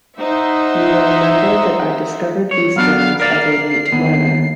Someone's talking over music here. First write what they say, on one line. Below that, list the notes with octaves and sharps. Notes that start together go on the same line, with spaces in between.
You will remember that I discovered these things as a late learner.
D#4 C5 E5 F#5
C#5
F#3 B3 D4 F5
A#4 D5 F5 C7
D#2 B3